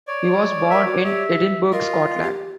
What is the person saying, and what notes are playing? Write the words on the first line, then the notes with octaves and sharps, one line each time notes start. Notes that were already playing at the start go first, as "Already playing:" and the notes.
He was born in Edinburgh, Scotland.
C#5 D5 C#6
A#4 E5
F#4 D6
G4 E5
F4 A#4 D#5
G4